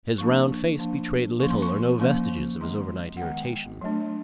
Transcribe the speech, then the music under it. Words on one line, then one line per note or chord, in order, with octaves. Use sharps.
His round face betrayed little or no vestiges of his overnight irritation.
F3 A#3 D4 C#6
F3 A#3 D4
F3 A#3 C#4 C#6
C6
C#6
F3 A#3 C#4
D#3 G#3 B3 C6
F#5
D#3 G#3 B3 G5
F#3 A3 D4